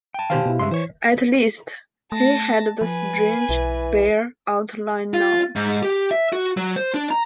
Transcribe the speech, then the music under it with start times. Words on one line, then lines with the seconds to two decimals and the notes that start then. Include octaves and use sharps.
At least he had the strange, bare outline now.
0.14 G5 A5
0.30 B2 D#3 G4 C5 F5
0.45 B2 E4
0.59 G2 C#3 G#3 E5 C6
0.71 E3 C5 C#5
2.12 A3 A5 A#6
2.81 F3 B4 G#5
3.49 B1 E3
5.14 F4
5.56 G#2
5.83 G4
6.11 E5
6.33 F#4
6.57 F#3
6.76 C5
6.94 D4
7.11 A#5